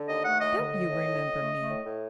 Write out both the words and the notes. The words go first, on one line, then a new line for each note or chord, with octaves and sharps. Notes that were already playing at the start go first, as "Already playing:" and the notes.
"Don't you remember me?"
Already playing: D3
D#2 D#5
A3 F#5
D#2 D#5
D3 D#5
A2
A2
A2
A2
A3
A3
A2
A2